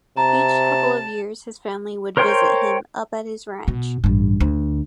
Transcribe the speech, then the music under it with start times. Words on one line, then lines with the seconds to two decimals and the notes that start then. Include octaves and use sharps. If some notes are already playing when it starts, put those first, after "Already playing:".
Each couple of years, his family would visit him up at his ranch.
0.17 C3 A5 A#5
2.17 A#4 C5 C#5 G5 C6
3.68 B2
4.04 A1 G2
4.40 D2